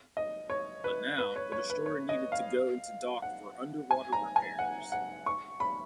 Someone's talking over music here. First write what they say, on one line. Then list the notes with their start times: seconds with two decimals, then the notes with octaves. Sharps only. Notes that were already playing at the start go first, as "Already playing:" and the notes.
But now the destroyer needed to go into dock for underwater repairs.
0.17 D#5
0.50 C#5
0.84 B4
1.18 B4
1.36 C#5
1.52 C#5
1.70 B4
1.86 C#5
2.09 D#5
2.32 F5
3.22 F#5
3.91 G#5
4.12 A#5
4.36 G#5
4.59 F#5
4.92 F#5
5.26 C#6
5.60 B5